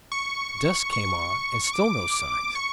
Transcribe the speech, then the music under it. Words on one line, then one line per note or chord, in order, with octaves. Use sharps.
Dusk came on, and still no signs.
C#6
C#6
D6
C#6